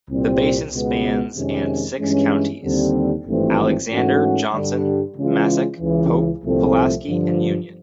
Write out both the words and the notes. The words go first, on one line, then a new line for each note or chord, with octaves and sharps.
The basin spans and six counties: Alexander, Johnson, Massac, Pope, Pulaski and Union.
C2 A#2 G3 C4
C#2 B2 G#3 B3
F2 C3 D#3 G#3 C#4
G2 E3 G#3 C#4
D#2 D3 G3 C4
G#1 G2 E3 A3 C4
G#2 E3 A3 C#4 F#4
G2 D3 G3
C#3 E3 G#3 C#4 F4
C#2 C#3 E3
C2 A#2 F3 A3 C4
G2 D3 F3